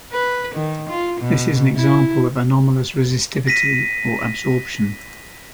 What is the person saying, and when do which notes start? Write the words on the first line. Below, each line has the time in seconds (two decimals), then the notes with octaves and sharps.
This is an example of anomalous resistivity or absorption.
0.12 B4
0.55 D#3
0.90 F4
1.21 B2
1.76 E4
3.47 A#6 B6 D#7